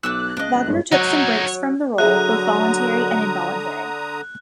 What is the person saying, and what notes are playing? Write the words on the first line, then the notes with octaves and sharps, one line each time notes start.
Wagner took some breaks from the role, both voluntary and involuntary.
B1 A3 D6 E6 F#6
C#2 D4 D#5
A#1
G1 G#2 C#5
F#3 D#4 C#5
D3 F#3 G#4 E5 A#5 D#6 F#6